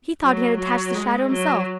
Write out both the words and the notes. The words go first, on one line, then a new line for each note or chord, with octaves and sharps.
He thought he had attached the shadow himself.
F#3
F#3
G#3
F#3